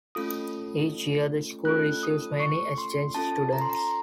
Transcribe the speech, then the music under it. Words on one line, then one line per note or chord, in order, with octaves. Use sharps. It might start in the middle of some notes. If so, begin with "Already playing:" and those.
Each year the school receives many exchange students.
A3 C#4 F4 A4 D#6
A3 C#4 F4 A4 F#6
D#6
C#6
C6
C#4 F4 A4 A5
A#5
C6
A#5